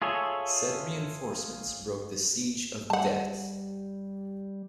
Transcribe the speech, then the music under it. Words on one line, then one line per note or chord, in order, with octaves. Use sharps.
Said reinforcements broke the siege of Daet.
F4 G#4 A4 C#5 E5
G3 F#5 A5